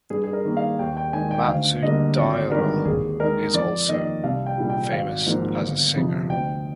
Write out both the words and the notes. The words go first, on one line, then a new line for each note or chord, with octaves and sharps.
Matsudaira is also famous as a singer.
G2 G#4
G#4
A#4
D#3 A#3
F5
D#2 G5
G5
D#3 G#3 G#5
G5
D2 F5
D3 G3 A#3 D#5
G#1 D5
G2 D#3 G#3 A#4
D#2 G#4
D#3 G#3 A#4
F2 D5
D#3 A#3 D#5
C2 F5
G5
A#2 G3
G5
G#1 F5
G#2 F3 A#3
G1
F2 C3
D2 G5